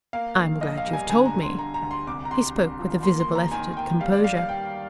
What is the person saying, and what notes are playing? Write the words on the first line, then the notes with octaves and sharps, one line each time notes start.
"I'm glad you've told me." He spoke with a visible effort at composure.
A#3 F5
A#1
A#1 D#5
F5
G3
G#5
D3 G#5
A#5
D3
C6
D3 A#5
A#5
D2
C6
C2 D6
A#5
C2 C6
C2
F3
A#3 C6
C6
D#2
A#5
D#3 G#5
A#3 G5
G3 F5
D5
G3 F5
F5
G3 G5